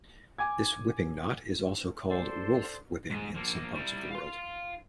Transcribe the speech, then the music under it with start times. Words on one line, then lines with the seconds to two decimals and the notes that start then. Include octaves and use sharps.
This whipping knot is also called 'wolf' whipping in some parts of the world.
0.38 G#5 D6 G#6
2.08 A4 C5 D5 C6
3.10 G#2 G#4
3.34 F3 A#3
3.74 G3 E4
4.11 F5 C6